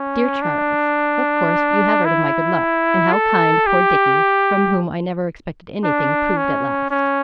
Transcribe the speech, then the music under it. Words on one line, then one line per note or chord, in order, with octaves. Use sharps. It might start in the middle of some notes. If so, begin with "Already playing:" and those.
'DEAR CHARLES--Of course you have heard of my good luck, and how kind poor Dickie--from whom I never expected anything--proved at last.
Already playing: C#4
D4
E4
A4
G4
D4
C#4
C#4